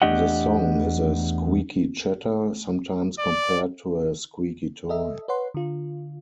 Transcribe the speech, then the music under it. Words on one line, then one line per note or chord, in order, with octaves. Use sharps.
The song is a squeaky chatter, sometimes compared to a squeaky toy.
E2 A3 D4 G4 D#5 F#5
D5
A4 D#5 E5
B4 C#5 F#5 C6
D3 F4